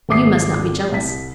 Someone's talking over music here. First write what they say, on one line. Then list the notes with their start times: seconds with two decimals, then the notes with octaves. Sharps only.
"But you must not be jealous."
0.09 G#1 E5 D6 D#6 C7
0.92 C2 B6